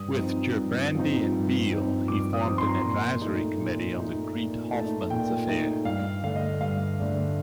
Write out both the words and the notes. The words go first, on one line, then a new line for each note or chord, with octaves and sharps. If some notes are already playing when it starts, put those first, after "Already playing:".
With Gerbrandy and Beel, he formed an advisory committee on the Greet Hofmans affair.
Already playing: G2 D#6
F3 C4 D#4
G2
F3 C4 D#4
G2
F3 C4 D#4
G2 D6
D#6
F3 C4 D#4
C6
A#5
C6
A#2
A3 D#4
A#2
A3 D#4
A#2
A3 D#4 A5
A#2 G5
A3 D#4
G2 F5
D3 A3 D4 F5
D#5
G2 F5
D3 A3 D4